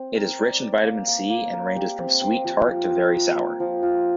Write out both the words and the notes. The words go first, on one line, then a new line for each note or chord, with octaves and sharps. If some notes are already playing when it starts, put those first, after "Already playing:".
It is rich in Vitamin C and ranges from sweet-tart to very sour.
Already playing: C4
A#4
D5
D5
A#3
A#3
A#3
A#4
G4
C4
C4
F3
F3
A#4
A#4
A#3
F3
F4